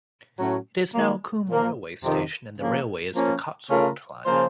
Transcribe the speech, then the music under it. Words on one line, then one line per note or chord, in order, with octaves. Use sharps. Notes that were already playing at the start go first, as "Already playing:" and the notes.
It is now Combe railway station and the railway is the Cotswold Line.
A2 F#3 A3 C#4 F#4
D#3 F#3 A#3
A#2 F3 A#3
F2 C3 D#3
C#3 F3 A#3
F3 A#3 C#4
C#3 A3 C#4 F4 A#4
C#3 F3 A#3 F4 C5